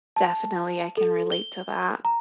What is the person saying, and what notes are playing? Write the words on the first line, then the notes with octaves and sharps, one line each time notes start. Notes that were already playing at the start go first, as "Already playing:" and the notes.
Definitely I can relate to that.
A5
A4
G7
A#5